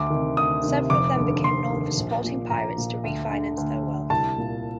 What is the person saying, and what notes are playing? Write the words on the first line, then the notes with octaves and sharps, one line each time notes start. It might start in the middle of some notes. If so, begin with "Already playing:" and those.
Several of them became known for supporting pirates to refinance their wealth.
Already playing: D2 D6
C3 D#3
D2 D#6
C3 D#3
F1 D6
D#2 D3
F1 C6
D#2 D3
A#1
A#2
A#1 A#5
A#2
D2
D3
D2
D3
C2 A5
A#2